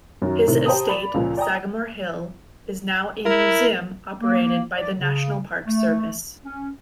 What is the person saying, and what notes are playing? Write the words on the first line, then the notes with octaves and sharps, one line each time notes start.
His estate, Sagamore Hill, is now a museum operated by the National Park Service.
F#2 D#3 F#3
A2 C3 D#3
G4 C5 G5 A5 A#5 D#6
D5 B5 F7
C#2 A#2 F3
D5 G5 G#5 A#5 D#6
E4 A#4
A#3
D5
C#3
A3
C#4